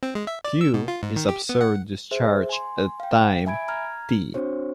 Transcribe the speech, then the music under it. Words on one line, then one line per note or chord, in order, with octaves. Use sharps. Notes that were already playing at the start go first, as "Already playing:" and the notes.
"Q" is observed discharge at time "t".
C4
G#3
E5
D5
E6
B2
F4
G#2
D#3
G4
B3
F#5
G#4 C5 E5
G#5 C6
F5 G5
E5 G#5 B5 G#6 D7
A#5 F6 G#6
C4 D4 F#4 C5 C#5